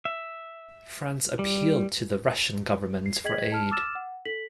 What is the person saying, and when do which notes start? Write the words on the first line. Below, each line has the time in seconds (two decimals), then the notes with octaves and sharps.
France appealed to the Russian government for aid.
0.05 E5
1.39 G3
3.06 C7
3.24 G#4 D#5 G5 G#6 B6 F#7
3.52 A5 F6
3.71 D6 E6 F6 A6 E7
3.95 F#5
4.25 A4 B6 F#7